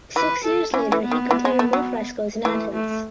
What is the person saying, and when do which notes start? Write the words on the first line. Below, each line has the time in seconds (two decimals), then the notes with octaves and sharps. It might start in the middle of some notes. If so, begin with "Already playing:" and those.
Six years later he completed more frescos in Athens.
0.16 E3 B4
0.44 A4
0.73 E3 C#4
0.92 E3
1.02 B3
1.11 D#3
1.31 E3
1.45 G#3
1.59 A3
1.73 F#3
2.44 E3 A3
2.74 A3